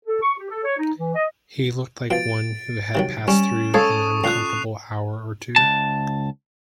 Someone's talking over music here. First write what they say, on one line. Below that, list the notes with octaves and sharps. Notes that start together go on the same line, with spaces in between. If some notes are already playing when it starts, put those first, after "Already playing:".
He looked like one who had passed through an uncomfortable hour or two.
A4
C#6
G4
A4
C#5
D#4
E3
D#5
B2 F3 A6 D7
C3 D#3 F#3
G3 C#4 E7
G#3 A4 C#5 F5 C#6 D#6
D2 A#2 F#6 C7 F7
C#2 F#3 A5